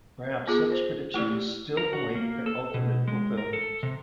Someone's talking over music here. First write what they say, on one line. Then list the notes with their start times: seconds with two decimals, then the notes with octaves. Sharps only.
Perhaps such predictions still await their ultimate fulfilment.
0.47 B3 F4 G#4
0.72 C5
1.14 A3 E4 G4 D5
1.77 A#4
1.93 F#4
2.16 A#3
2.46 A4
2.74 B2
3.08 G#3
3.37 A#4
3.53 A4
3.83 C3